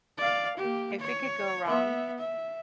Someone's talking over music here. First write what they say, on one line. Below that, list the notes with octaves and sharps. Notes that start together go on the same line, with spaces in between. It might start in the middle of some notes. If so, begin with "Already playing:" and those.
if it could go wrong,
D5 F5
A#3 G4
C#5
B3 E5
E5